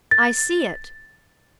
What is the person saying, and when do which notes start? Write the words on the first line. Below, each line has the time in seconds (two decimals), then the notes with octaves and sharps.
I see it!
0.11 A6